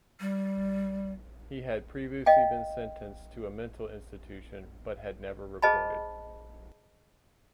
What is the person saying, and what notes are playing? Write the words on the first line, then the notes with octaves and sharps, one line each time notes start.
He had previously been sentenced to a mental institution but had never reported.
G3
D#5 F5 G5
G#4 C5 D#5 A5 B5